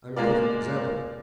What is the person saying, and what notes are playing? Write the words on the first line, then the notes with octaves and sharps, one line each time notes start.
I'm a perfect example.
G#3 A#3 F4 D5